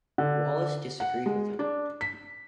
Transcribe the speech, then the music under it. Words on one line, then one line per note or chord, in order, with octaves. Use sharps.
Wallace disagreed with him.
D3
F#5
G#3
D4
B6